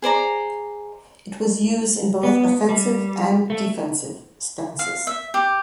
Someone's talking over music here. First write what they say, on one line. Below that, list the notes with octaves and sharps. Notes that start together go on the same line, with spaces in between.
It was used in both offensive and defensive stances.
G#4 C5 D5 A#5
B3
G3
A3
F5
E5
G4